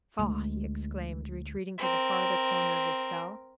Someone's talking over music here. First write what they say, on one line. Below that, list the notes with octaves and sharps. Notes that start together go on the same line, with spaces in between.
"Faugh!" he exclaimed, retreating to the farther corner of his cell.
D2 G#3
C4 A#4